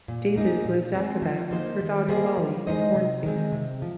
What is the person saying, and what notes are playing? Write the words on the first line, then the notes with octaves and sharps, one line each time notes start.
David lived after that with her daughter Molly in Hornsby.
A#2
A#3 D#4 G#4 D#5
A#2
G#3 C4
F3
A#3 D#4 C5
D#3
A#3 G#4 C5 D#5
F3
G#3 D#4 C5 D#5
C3
D#3 G#3 C4
C3
F3